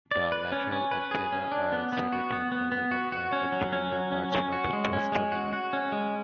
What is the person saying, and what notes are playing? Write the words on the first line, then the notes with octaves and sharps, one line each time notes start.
The lateral antennae are inserted terminally on the anterior margin of the prostomium.
D5
B4
C#4
C#4
B4
G#4
C#4
D4
B3
B3
F#4
B3
B3
B3
F#4
F#4
C#4
F#3
C#4
F#3
C#4
C#4
F#4
G#3
C#4
G#3
F#4
F#4
C#4
G#3